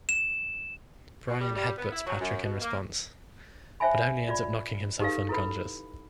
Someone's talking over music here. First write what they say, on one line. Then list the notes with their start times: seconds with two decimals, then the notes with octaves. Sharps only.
Brian headbutts Patrick in response, but only ends up knocking himself unconscious.
0.09 E7
1.27 B2
1.40 G3
1.55 G3
1.77 B3
1.92 E4
2.06 F#3
2.20 F#2
2.43 B2
2.61 A#3
3.80 C5 C#5 E5 G5 G#5 B5
4.29 F4 D5 B5
5.00 D#4 G4 A4 B4 F5
5.29 E4 A4 B4 B5